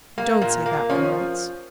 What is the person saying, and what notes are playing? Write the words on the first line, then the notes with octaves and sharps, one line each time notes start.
"Don't say that, Florence."
A#3
A#2
A#3
F3 C#4